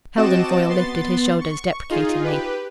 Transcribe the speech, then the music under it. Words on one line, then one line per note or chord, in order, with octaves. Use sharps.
Heldon Foyle lifted his shoulders deprecatingly.
C4 F#4 D#5 A5 D6 E7
B3 C6 A6
C#6
D#4 F4 G#4
G4 B4